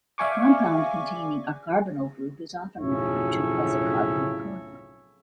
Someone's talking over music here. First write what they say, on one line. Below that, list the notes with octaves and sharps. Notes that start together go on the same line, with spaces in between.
A compound containing a carbonyl group is often referred to as a carbonyl compound.
D5 E5 F5 G#5 C#6 D6
B1 F2 A2 C#3 C#5 E5